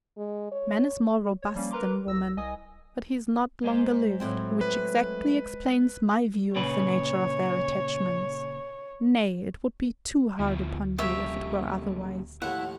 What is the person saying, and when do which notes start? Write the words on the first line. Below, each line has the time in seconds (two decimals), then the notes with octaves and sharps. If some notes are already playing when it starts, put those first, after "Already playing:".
Man is more robust than woman, but he is not longer lived; which exactly explains my view of the nature of their attachments. Nay, it would be too hard upon you, if it were otherwise.
0.18 G#3
0.52 C#5
1.42 C#5
1.55 F3 G3 A#3 C#4
1.71 A#4 B4 A#5 C6 D6
2.06 C2 E6 A#6
2.37 C2 D#5 G#5 D#6
3.64 G#3 C5
4.20 A2 F#3 C4
4.61 B4
6.56 A#2 C#3 B4 C#5
10.39 D2 B2 F3 E4
10.98 C2 F2 A#2 C#3 G4 C#5 E5
12.42 D#2 A2 F3 E4 F#5